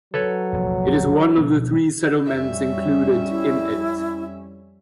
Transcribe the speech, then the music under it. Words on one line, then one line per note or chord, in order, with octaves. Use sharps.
It is one of the three settlements included in it.
F#3 A4 B4 C#5
F1 A#1 E2
B2 F3 B3
F2 G3 C#4 E5
E4